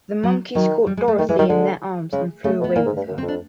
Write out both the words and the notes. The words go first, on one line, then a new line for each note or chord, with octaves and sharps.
The Monkeys caught Dorothy in their arms and flew away with her.
F#3
D#3 F#3
G3
G#3
A3
D#3 A3
E3 G#3
D#3 G3
D3 G#3
C#3 G#3
C#3 A3
B2
B3
A#2 A#3
G#2
G2
F#2
C4
F2
D4